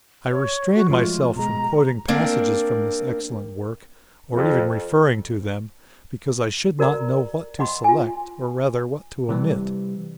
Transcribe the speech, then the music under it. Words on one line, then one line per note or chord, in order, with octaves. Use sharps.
I restrain myself from quoting passages from this excellent work, or even referring to them, because I should not know what to select, or rather, what to omit.
C#5
F#4
F3 G#3 A3 F4
B2 G#3 A#5
A#3 C4 D4 A#4
F2
F#4 A#4 D5 A#5
D#5 F#5 B5 C6
F4 G#5
C3 E3 G3